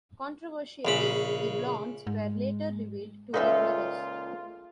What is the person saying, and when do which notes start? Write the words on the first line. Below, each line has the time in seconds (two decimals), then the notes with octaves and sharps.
Controversially, the Blondes were later revealed to be brothers.
0.85 A#1 C#3 B5
2.07 G#2 G#3
3.34 C#2 A#2 D#4 F4 A4 B4 E5